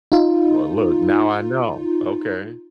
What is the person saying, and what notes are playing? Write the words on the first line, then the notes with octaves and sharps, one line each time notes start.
Well, look, now I know. Okay.
D#4 F4